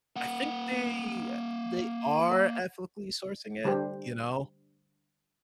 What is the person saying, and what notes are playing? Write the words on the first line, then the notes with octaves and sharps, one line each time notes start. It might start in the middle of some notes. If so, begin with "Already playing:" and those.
I think they they are ethically sourcing it, you know,
A#3 F#5
D3 G3 D4 G4 C5